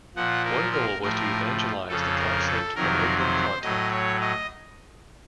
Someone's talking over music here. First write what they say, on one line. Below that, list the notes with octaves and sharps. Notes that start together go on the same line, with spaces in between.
One goal was to evangelize the concept of open content.
A#2 F3 F#5
A#4
A#4
A2 F3 A#4
F2 C#3 F3 A4
A#4
A4
F2 C3 D#3 F#3 A#4
C5
A2 F#3 D#5
C#5
D#5